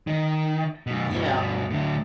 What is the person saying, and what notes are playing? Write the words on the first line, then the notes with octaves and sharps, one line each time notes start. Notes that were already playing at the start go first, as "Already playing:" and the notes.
you know,
D#3
F#2 B2
G2 B2
A2 D3